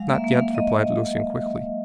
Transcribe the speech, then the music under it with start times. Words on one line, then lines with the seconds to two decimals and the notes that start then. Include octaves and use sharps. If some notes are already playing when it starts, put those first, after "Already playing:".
"Not yet," replied Lucian quickly.
Already playing: F#3 G#3 F5
0.09 A#3
0.14 E5
0.24 A#3
0.34 F5
0.39 A#3
0.54 A#3 D#5
0.70 A#3